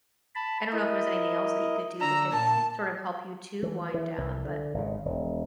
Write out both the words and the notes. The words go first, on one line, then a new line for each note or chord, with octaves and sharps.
I don't know if there's anything else that you could do that could sort of help you to wind down, but
A5 B5
E4 A#4 D#5
D3 D4 A#5 E6
A#2 A#3 A5
E3
E3
C2
D3
G#1 C#3
E1